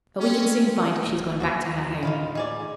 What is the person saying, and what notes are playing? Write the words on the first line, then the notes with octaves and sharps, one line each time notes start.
But we can soon find if she's gone back to her home.
C4 C#4
D1
D#2 F#4 A#5
A2 D#4 F4 B5
D#4 G#4 D5